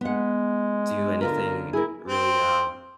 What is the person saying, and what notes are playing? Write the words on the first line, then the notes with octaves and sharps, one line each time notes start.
do anything really, uh,
G#3 B3 F#5
D3 F4 A#4 B4
E4 G#4 A#4
C4